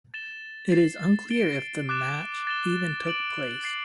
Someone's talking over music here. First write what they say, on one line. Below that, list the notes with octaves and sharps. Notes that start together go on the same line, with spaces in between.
It is unclear if the match even took place.
A6 E7 G7
A6 C7 E7
A6 D7 G7
D6 F#6 A6 E7
A6 E7 G7
A6 D7 F#7
A6 C7 F#7